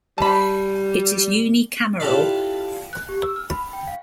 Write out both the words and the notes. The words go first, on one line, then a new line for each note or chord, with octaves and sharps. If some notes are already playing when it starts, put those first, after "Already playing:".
It is unicameral.
G3 A5 B5
E4 F4 G4 A4 B4 D5
F#6
G4
E6
F6
B5
G5
F5